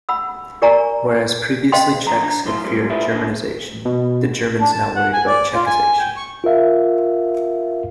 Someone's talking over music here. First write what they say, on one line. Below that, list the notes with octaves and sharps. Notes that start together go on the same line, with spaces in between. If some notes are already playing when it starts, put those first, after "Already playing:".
Whereas previously Czechs had feared Germanization, the Germans now worried about Czechization.
F#5 B5 E6
G4 A#4 D5 G#5 A#5 C#6
C5 D#5 F5 G5 C6
D2 F3 A#5
D4 A#5
F#3 E4 C5 C6
F2 C3 F3 G3 G#3 A#3
E4 F4 G4 B4 C5 D5
D4 F4 C5 D#5
B2
D4
A5
F#5
G#5
D5
F4
G#5
G5
C#6
F4 A#4 E5 F5